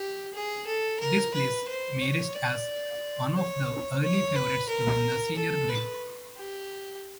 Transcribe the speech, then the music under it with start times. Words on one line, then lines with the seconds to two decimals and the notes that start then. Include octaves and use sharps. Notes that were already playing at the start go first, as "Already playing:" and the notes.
This placed Marist as one of the early favourites to win the Senior Grade.
Already playing: G4
0.34 G#4
0.66 A4
1.00 A#4
1.34 B4
1.68 C5
2.01 C#5
2.34 D5
3.36 C#5
4.02 C#5
4.35 B4
4.69 A#4
5.36 A4
5.69 B4
6.37 G4